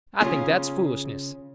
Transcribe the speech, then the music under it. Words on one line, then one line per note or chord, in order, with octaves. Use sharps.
I think that's foolishness.
C#3 C#4 F4 G#4